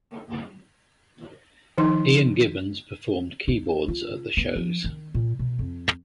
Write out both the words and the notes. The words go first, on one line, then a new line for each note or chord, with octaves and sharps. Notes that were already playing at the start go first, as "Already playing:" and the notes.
Ian Gibbons performed keyboards at the shows.
D#3 F3 D#4 C6
D#4
F4
B3
F3
D#3
A#2
B2
F2